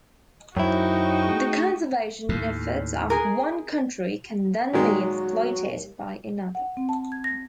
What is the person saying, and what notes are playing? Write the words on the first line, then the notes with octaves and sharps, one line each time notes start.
The conservation efforts of one country can then be exploited by another.
F#2 D#4 E4 F#4 C5 C#5 G5
A3 G#4
D#2 A2
G#4 A#4
A#2 D#3 F#3 G#3
D#2
F#5
C4
A5
G#6
A#6